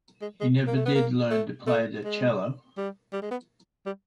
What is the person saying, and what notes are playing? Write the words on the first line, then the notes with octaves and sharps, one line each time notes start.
He never did learn to play the cello.
G#3
G#3
A#3
A3
B3
A#3
A3
A3
G#3
G3
G3
G#3
B3
G3